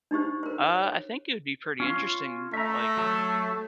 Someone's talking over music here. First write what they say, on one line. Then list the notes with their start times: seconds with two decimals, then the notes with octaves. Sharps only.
Uh, I think it would be pretty interesting, like,
0.11 D4 D#4 G4 C5
0.43 A#4 C5
0.76 C#5
1.80 C#4 F4
2.54 A3 E5 A#5
2.97 F#3 A5